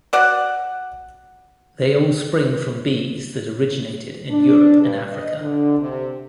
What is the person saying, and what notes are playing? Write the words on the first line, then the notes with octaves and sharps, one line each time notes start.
They all spring from bees that originated in Europe and Africa.
F#4 D5 F#5
D4
G2
D#5
D3
C3